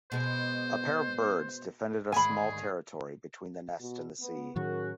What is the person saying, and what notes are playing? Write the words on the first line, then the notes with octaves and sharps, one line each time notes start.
A pair of birds defend a small territory between the nest and the sea.
B2 G#3 C5
D2 G#2 D#3 G#4 G#5 B5
B2 F#4
B3
A2 D#3 F#3 C#4 F#4 G#4 A#4